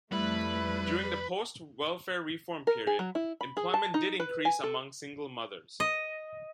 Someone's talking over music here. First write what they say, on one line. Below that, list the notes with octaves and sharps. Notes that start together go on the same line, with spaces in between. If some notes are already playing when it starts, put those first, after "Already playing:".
During the post-welfare reform period, employment did increase among single mothers.
F2 G3 A3 E4 B4
A#4
G#4
F#3
E4
B5
G#4
A5
D#4
B4
G#5
A4
D#5